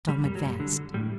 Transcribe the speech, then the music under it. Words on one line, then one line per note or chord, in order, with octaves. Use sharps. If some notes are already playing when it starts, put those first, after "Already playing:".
Tom advanced.
G3
F#2 G3
F#3
G3
D3
A2 G3